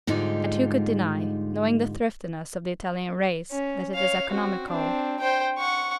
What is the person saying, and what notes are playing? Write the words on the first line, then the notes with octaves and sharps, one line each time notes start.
And who could deny, knowing the thriftiness of the Italian race, that it is economical?
G#2 D3 G3 D#4 F4
C#4
C#5 F5
C4 F#4
C4 D4
C5 G5
F#5 C#6